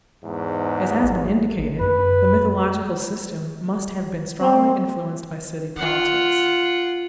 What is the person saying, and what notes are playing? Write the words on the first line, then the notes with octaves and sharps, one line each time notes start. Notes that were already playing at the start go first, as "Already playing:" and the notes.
As has been indicated, a mythological system must have been strongly influenced by city politics.
E2 G#2
A1
F#2 B4
C4
F4 F#5